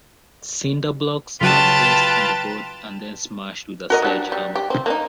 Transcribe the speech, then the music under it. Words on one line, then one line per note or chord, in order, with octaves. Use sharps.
Cinder blocks are placed on the board and then smashed with a sledgehammer.
C#3 F#3 F4 F#4 B4 G5 A5
F#4 A#4 D#5
F#3 G3 D4
G3
G4
C4
A#3 D4 D#4